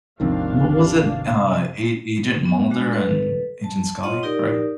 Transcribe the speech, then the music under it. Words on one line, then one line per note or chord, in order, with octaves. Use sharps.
What was it, uh, A Agent Mulder and Agent Scully, right?
G#1 D#2 C3 D#3 F3 C4 D4 F5
B3
G#3 D4 F#4
A4 B4
A5
F4 C#5 D#5 F#5 C6
D#4 G4 A#4 D5